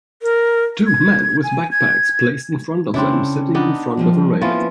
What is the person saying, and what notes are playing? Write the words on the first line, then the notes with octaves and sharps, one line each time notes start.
Two men with backpacks placed in front of them sitting in front of a railing.
A#4
G#6
G#5
G#6
C#3 C4 D4 E4
B3 D4 D#4
F3 G3 G#3
F3 A#3 B3 C#4 E4 F4